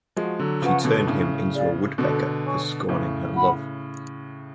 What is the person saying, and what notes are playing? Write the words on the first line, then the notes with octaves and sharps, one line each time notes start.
She turned him into a woodpecker for scorning her love.
F3 G#3 F#4
D3 F#3
C#3 F3 B4 F#5 C#6
B2 D3
A2 C#3 D4
G#4 D5 F5
B2 D3 A4
C#5 G#5 C#6
A2 C#3 B4
F#5 B5